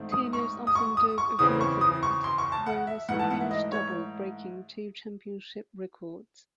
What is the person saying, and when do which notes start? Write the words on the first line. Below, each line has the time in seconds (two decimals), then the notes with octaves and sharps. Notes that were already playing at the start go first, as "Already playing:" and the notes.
Tinus Osendarp of the Netherlands won a sprint double, breaking two championship records.
Already playing: G#2 D#3 A3 C4
0.12 D#6
0.33 C#6
0.67 D#6
0.75 C#6
0.97 D#6
1.18 C#6
1.39 E2 C#3 E3 C4 D#6
1.61 C#6
1.81 D#6
2.03 C#6
2.24 C6
2.38 C#6
2.52 A5
2.66 F#5
2.87 E5
3.09 G#2 E3 A3 F#5
3.19 A5
3.30 F#5
3.40 E5
3.51 D#5
3.72 C#5